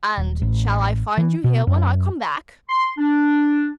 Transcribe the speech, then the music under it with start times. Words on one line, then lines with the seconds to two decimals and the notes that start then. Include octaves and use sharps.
"And shall I find you here when I come back?"
0.17 D#1
0.42 A1
1.18 E3
1.44 B2
1.67 F#2
2.69 C6
2.98 D4